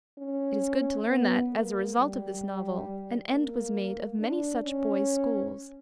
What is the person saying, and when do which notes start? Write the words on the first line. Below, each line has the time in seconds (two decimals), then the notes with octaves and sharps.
It is good to learn that, as a result of this novel, an end was made of many such boys' schools.
0.18 C#4
1.08 B3
1.53 A#3
1.96 G3
3.30 A#3
4.19 D4
4.64 C#4